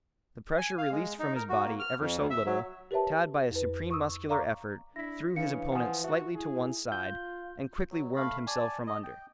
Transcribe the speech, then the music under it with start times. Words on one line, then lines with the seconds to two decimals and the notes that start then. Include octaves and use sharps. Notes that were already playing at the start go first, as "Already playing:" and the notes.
The pressure released from his body, ever so little, Tad by a supreme muscular effort, threw his opponent slightly to one side, and quickly wormed himself from under.
0.58 G#5
0.78 F5
0.92 G#3
1.19 D#4
1.35 A#4
1.49 F#4
1.65 A#3
1.80 F6
2.00 F2
2.18 D2
2.30 E5
2.46 F#3
2.91 G4 A#4 B4 C#5 E5 A5
3.51 F2 B4
3.91 C#6 D#6 E6
4.29 D5 F5 A#5 C#6 D6
4.96 D4 E4 A#6 B6
5.36 C#3 E3 D4 F5 C#7
5.72 F3 F#5 G#5 D#6
6.04 F#4 E5
6.35 E4 G#4
6.92 F4 G6
7.91 F#3
8.16 A3 F5 B5
8.47 D5 G#5 A5
8.87 D#5
9.03 G5